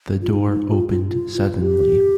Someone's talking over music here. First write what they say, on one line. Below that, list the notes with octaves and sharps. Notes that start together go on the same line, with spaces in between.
The door opened suddenly.
F4
D#4
D#4
F4
F4
F4
F4
G4